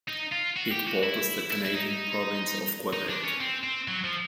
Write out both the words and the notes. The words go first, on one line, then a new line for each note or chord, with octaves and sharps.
It borders the Canadian province of Quebec.
D#4
F4
F#4
G4
F#4
E4
E4
E4
D#4
D#4
D4
C#4
C4
C4
F#3
F3